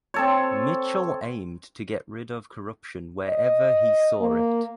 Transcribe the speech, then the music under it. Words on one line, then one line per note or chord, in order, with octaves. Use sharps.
Mitchel aimed to get rid of corruption wherever he saw it.
C4 A4 C#5
D#5
A#3